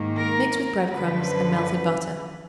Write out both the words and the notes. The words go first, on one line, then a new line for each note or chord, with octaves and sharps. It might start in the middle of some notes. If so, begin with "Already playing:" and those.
Mix with bread-crumbs and melted butter.
Already playing: G#2 D#3 A#3
A#4
A#4
F#2 D3 F3 B4